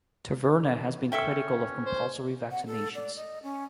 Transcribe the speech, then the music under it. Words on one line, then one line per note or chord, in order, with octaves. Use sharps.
Taverna has been critical of compulsory vaccinations.
C#4 A4 E5 G5
C5
F#5
A4
D5
D#5
C#4